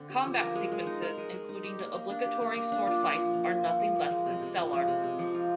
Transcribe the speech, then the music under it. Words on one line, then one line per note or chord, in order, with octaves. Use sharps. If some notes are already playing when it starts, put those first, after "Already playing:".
Combat sequences, including the obligatory sword fights, are nothing less than stellar.
Already playing: D3 C4
G4
F3
A#4
G#3
G#3
D#4
A#4
G#3
G#3
D#4
G4
A#3
A#3
D4
G4
A#3
A#3
D4
F4
F3
F3
A#3
F4
F3
F3
A#3
G#3
C3
C3
F3
G#3
C3
C3
F3
F4